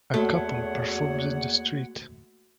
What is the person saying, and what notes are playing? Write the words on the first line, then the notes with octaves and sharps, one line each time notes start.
A couple performs in the street.
E2 A3 A#3 F#4 C#5 F#5